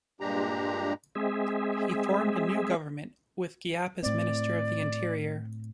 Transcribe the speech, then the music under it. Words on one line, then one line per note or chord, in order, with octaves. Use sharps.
He formed a new government, with Giap as Minister of the Interior.
G2 A#2 G#3 D4 G4 A#5
G#3 C4 G#4 E5
A2 C4 D5